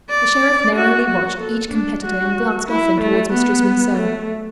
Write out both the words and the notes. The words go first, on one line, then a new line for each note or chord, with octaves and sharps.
The Sheriff narrowly watched each competitor, and glanced often towards Mistress Monceux.
D5
F#4
F#4
A4
D4
F#4
E4
A3
B3
A3